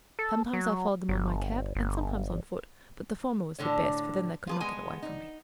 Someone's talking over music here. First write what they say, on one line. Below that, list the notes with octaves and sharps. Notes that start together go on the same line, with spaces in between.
Sometimes I followed them on my cab, and sometimes on foot, but the former was the best, for then they could not get away from me.
A4
F#3
G1
G1
A2 D3 C#5
F4 G#4 B4
G#3 B3 G#5
D#4